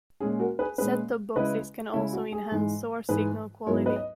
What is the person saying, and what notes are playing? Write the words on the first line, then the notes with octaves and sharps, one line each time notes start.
Set-top boxes can also enhance source signal quality.
A#2 G#3 C#4 G#4
F#4 A#4
G#4 B4
A#2 G#3 C#4 G#4 B4
C#3 G#3 C#4 E4 B4 D#5
C#3 G#3 C#4 E4 C#5 E5
F#4
G#4
G#2 E3 G#3
G#2 E3 G#3 G#4 B4
G#2 F#3 B3 E4 A#4 C#5
B4 D#5
D#5